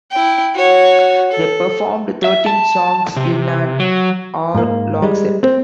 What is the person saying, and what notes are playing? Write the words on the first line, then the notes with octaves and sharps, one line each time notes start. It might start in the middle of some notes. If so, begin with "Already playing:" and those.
They performed thirteen songs in an hour-long set.
E4 G5
F#4 C#5
A4
E5
A5
C3
F#3
G#2 A#3
G3 G#3
C4